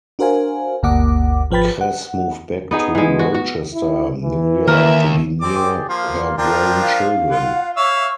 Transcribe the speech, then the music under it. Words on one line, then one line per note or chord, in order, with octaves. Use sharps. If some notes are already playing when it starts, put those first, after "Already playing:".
Kress moved back to Rochester, New York, to be near her grown children.
D4 F#4 A#4 C5 F5 G#5
G1 D2 A#3 F#5 D6
G#1 F3 B4 G5 B5 A6
F#5
B3 D#4 G#4
E3 G#3
F#4
F#4
E4
E3
D#2 A#4 E5
C4 G4 G#4 D5 D6
F3 A#3 F4 C6
F3 D4 F4 A#4 G5
F5
F4 F#5
C#5 E5 F5 C#6 E6